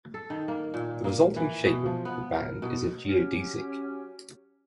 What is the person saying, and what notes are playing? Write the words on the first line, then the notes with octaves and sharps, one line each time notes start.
The resulting shape of the band is a geodesic.
A4
D#3
A#3
A#2
A#3
E3
B2
F3
B3
A#4
B2
F#3 C#4 F#4 G4